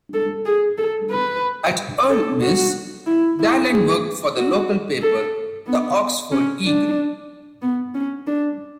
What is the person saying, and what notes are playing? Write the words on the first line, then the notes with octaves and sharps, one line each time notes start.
At Ole Miss, Dallen worked for the local paper The Oxford Eagle.
A4
G#4
A4
B4
A4
F#4
E4
E4
G#4
F#4
A4
B3
C#4
D4
B3
C#4
D4